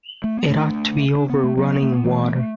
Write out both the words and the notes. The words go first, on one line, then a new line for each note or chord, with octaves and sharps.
It ought to be over running water.
A3
B3
A3 D4
D4
B3
A3
F#3 B3
A3
B3
E3 A3
B3
A3